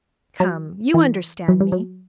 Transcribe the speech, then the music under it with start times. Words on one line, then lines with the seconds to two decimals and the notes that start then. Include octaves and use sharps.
"Come, you understand me."
0.40 F#3
0.94 E3
1.48 F#3
1.60 G3
1.72 F#3